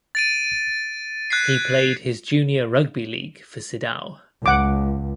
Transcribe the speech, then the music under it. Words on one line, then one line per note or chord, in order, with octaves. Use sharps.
He played his junior rugby league for Siddal.
A6 D7 D#7
F#6 G#6 B6 C7
C#2 F#5 D6